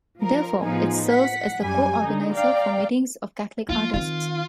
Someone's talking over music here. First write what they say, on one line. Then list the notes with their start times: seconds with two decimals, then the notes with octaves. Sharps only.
Therefore, it serves as the co-organizer for meetings of Catholic artists.
0.22 F3 A#4
0.62 A2 F3 B3 D#4 G#4
1.08 F#5 B6
1.61 F#2 G3 G#5
2.02 D3 D#4
2.32 D5 F5 G5 A#5
3.70 F3 A#3 F4
3.94 D#3 C4 F4